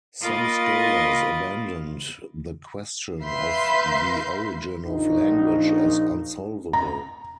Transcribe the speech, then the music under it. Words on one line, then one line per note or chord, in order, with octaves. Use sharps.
Some scholars abandoned the question of the origin of language as unsolvable.
A#3 F4 A#4 D#5 B5 A6
B4 E5 F5 C6 G6
A#1 D#4
A#5